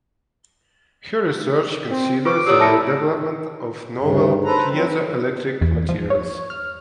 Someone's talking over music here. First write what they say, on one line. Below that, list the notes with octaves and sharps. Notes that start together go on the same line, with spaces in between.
Her research considers the development of novel piezoelectric materials.
C4
F4 B4 C#6 D6
G4 A#4 C#5 D5 D#6 E6
E4 A5 A#6 C#7
D2 G2 C#3
A4 B4 C5 A#5
F3 F#3 C4
E2
F3
C#5
F6